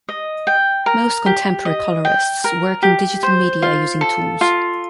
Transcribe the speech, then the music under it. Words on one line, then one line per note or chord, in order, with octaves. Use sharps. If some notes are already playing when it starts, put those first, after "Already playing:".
Most contemporary colorists work in digital media using tools.
D#5
G5
A#4
G4
D#5
G5
A#4
G4
C5
F4
A4
F4